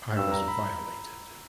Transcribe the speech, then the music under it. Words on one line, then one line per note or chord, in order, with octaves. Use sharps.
I was violated.
G2 E6
A#5
B5